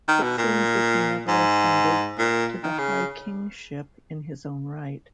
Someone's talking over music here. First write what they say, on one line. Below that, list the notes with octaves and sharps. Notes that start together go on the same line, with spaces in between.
It seems that he never ascended to the high-kingship in his own right.
D#3
B2
A#2
G#2
A#2
D#3
C#3